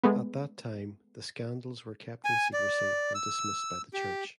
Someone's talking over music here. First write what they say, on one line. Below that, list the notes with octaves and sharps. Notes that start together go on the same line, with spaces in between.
At that time the scandals were kept in secrecy and dismissed by the church.
G#3 A3 B3
G#5
D5
E6
G4